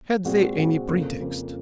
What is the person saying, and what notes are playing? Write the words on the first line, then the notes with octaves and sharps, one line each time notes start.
Had they any pretext?
A#2 G#3 C4 F#4
A#2 G#3 C4 F#4
F2 C#3 F3 A#3
F2 C#3 F3 A#3